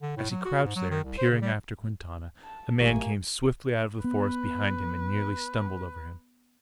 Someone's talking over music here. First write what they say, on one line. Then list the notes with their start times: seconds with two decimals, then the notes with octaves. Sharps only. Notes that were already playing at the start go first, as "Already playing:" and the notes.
As he crouched there, peering after Quintana, a man came swiftly out of the forest behind him and nearly stumbled over him.
0.02 D3
0.17 A2
0.30 F#3
0.45 F#4
0.63 G#2
0.76 F#3
0.90 D#3
1.04 C2
1.18 C5
1.30 C#3
1.42 G3
2.43 A5
2.80 G#1 A3 A#3 G4 G#5
4.04 B3 B4